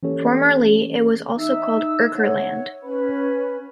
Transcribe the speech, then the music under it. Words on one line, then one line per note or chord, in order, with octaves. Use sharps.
Formerly, it was also called "Urker Land".
E3 A#3 C#4 G4 A4 C#5
D#4 E5 E6
C#5 F#5
C#4 B4 B5